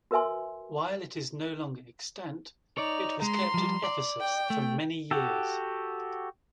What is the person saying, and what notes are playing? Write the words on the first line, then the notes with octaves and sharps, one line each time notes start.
While it is no longer extant, it was kept at Ephesus for many years.
F#4 A#4 B4 E5 G#5 C6
D#4 C#5 D5 F7
G#3 A#5 C6
F3 G3
D5
G5
A3
F#4 G4 A4